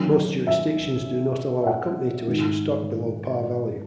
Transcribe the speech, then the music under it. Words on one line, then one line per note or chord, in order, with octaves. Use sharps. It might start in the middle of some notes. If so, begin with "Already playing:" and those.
Most jurisdictions do not allow a company to issue stock below par value.
Already playing: D#3 F#3 A#3 C#4
E5
E5
F#5
G#2 D#3 G#3 D#4